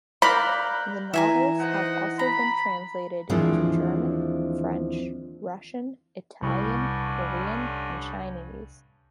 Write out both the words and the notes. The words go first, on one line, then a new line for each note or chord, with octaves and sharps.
The novels have also been translated into German, French, Russian, Italian, Korean and Chinese.
A#4 D5 F5 A#5 B5 F#6 G6
E3 E5 G#5 A#5
D#4 C5 F#5
A#5 B5
D#2 E3 F3 G#3 C4 D4
C2 G2 D3 C#4 C#6